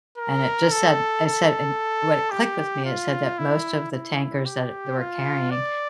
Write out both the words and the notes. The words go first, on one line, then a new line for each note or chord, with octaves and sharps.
and it just said it said and what clicked with me, it said that most of the tankers that they were carrying
A#4
A4
A4
G4
F4
E4
E4
G4
F4
D5